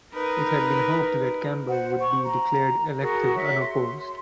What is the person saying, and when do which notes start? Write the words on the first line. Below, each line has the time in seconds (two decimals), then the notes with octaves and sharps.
It had been hoped that Campbell would be declared elected unopposed.
0.14 D#4 A#4 B4
1.68 C5 F#5
2.00 C6 C#6
2.24 A#5
3.00 F#4 G#4 A#4
3.36 C#5 E5
3.60 C6